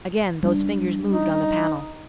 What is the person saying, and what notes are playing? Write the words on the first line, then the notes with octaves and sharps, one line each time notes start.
Again those fingers moved on the panel.
G3 C#4 D4
D#4